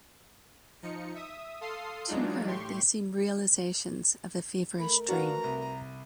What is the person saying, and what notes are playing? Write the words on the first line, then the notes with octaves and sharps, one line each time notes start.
To her they seem realizations of a feverish dream.
F3 D#4 C#7
E5 D#6
A4 F5 C6 D#6 C7
E3 F#3 G#3 D4 D#4 F4
A2 G4 C6 C#6
A3 A#4 B5
D4 F4 F#4 B4 F#5 A#5
C2